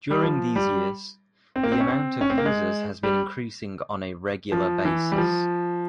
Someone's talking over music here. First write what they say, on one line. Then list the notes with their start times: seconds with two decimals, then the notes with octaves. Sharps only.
During these years, the amount of users has been increasing on a regular basis.
0.11 G3
0.23 F3
0.56 G3
1.56 C4
1.63 A#3
1.72 C4
1.80 C#4
1.88 C4
2.21 C#4
2.30 C4
2.38 A#3
2.46 G#3
3.03 G3
4.52 F3
4.85 E3
5.12 G3
5.18 F3